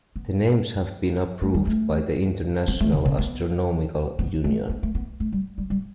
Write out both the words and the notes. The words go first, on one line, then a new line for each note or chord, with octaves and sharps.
The names have been approved by the International Astronomical Union.
B3
A3
G3
A3
B3
A3
D3
C#3
B3
B3
A3
B3
A3
B3
A3
G3
G3
G3